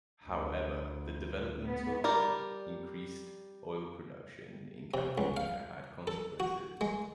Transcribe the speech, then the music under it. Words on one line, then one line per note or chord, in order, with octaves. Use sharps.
However, the development of increased oil production in California had consequences.
D2
B3
G3 A#4 D5
C3
C#2
F5
A4
F#4
G#3